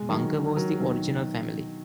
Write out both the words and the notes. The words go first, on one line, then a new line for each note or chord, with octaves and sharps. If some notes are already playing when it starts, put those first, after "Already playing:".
"Bunker" was the original family.
Already playing: G#3
D#3 F#3 A#4
G#3
D#3 F#3 A#4
B2 D#3 F#3